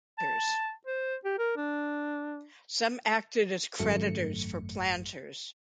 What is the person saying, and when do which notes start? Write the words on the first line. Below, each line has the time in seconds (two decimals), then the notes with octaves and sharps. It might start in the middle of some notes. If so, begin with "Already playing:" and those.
Some acted as creditors for planters.
0.18 A5
0.87 C5
1.25 G4
1.38 A#4
1.56 D4
3.79 G#1 F#2 A3 C#7